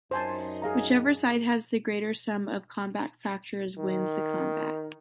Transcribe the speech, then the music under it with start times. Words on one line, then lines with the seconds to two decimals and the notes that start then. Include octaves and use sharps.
Whichever side has the greater sum of combat factors wins the combat.
0.11 F#2 D#4 C5 G#5 A5
0.62 G#4 F5 A#5
3.78 D#3